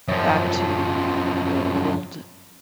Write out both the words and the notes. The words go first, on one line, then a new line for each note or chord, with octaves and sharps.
back to the Old
F#2 F3